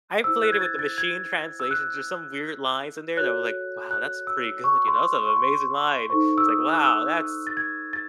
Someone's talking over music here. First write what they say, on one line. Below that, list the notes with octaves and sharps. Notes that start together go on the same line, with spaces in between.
I've played it with the machine translations. There's some weird lines in there that I was like, "Wow, that's pretty good, you know, it's an amazing line." It's like, "Wow, that's
E4 C5 E6
F#6
G#6
A6
A6
G#6
E6
F#6
F#4 A4 C#5 F#6
F#6
E6
C#6
C6
C#6
C6
D#4 A4 C5 C#6
E6
D#6
F#6
E6
A6
G#6
A6